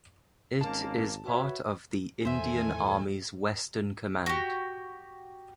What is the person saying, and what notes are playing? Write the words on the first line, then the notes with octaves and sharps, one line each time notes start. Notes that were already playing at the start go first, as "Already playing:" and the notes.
It is part of the Indian Army's Western Command.
G#1 G#3 A#3 C#4 A5
F#4 B4 C#5 E5
E2 A2 D#3 A4 C5 E5 G#5
F#4 G4